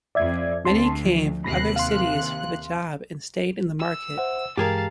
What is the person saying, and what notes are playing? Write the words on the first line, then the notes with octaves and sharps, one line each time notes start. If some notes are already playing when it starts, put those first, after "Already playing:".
Many came from other cities for the job and stayed in the market.
F2 D5 E5 G#6
D2 C4 A5 C6
F3
D#2 C3 B5 F#6 A#6 C7
F5 C6
E6
C5 E5 F#5
G2 E3 G#3 G4 G#4 A#4 F5 A5